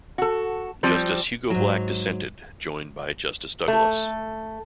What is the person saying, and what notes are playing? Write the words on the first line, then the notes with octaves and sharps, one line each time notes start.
Justice Hugo Black dissented, joined by Justice Douglas.
F#4 A4
F3 G3 C4 G4
G#2 F#3
A3